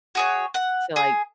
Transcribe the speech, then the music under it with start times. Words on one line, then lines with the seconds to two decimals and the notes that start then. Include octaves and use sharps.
So, like
0.15 F#4 G#4 C#5
0.54 F#5
0.96 G#4